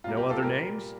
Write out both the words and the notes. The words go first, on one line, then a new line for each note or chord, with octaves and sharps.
"No other names?"
C3 G3 A#3 F4
G4
F4 A4
A#2 G3 A#3 G4 A#4